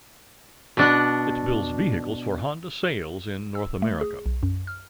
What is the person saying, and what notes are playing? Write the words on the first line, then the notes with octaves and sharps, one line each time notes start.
It builds vehicles for Honda sales in North America.
B2 D4 F#5
E6
A3
G#4
B1
F#2
F6